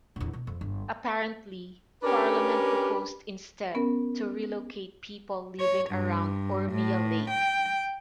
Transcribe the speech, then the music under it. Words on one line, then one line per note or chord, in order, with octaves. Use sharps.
Apparently, parliament proposed instead to relocate people living around Urmia Lake.
A#1 E2
B2
F2
G1
C#4 D4 G4 A#4 B4
B3 C#4 A#4
C#5
G2
A2
G5